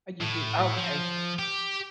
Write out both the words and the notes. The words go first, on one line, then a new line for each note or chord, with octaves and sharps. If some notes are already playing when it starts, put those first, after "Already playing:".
Oh, you do? Okay.
A2
F3
G4